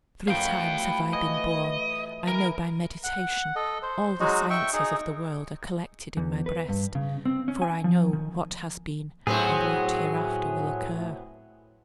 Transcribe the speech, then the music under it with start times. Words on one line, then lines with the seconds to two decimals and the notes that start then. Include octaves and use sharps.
"Three times have I been born, I know by meditation; All the sciences of the world are collected in my breast, For I know what has been, and what hereafter will occur."
0.28 F#2 A2 F3 F5 G5
0.79 B5
1.13 E3 D#5
2.28 E3 A#4
3.04 F#5
3.56 A4 D#5
3.83 C5
4.20 F#3 G#3 D#4 F#4
4.50 E5 G5 C#6
4.73 D#4 G#4
6.17 E2
6.46 B4
6.69 G2
6.95 C#3
7.26 C4
7.48 C#4
7.62 G#5
7.84 F3
8.13 D#3
9.27 A2 F#3 B3 C4 F#4 G#4